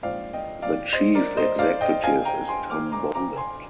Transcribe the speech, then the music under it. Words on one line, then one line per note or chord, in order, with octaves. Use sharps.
The Chief Executive is Tom Boland.
A#1 G#2 F3 C4 D5 F5
D#5 G5
D5 F5
C5 D#5
A#4 D5
C5 D#5
D5 F5
D#5 G5
F5 G#5
G5 A#5
G#5 C6
D6 F6
A#5 D6
A#5 D6
G#5 C6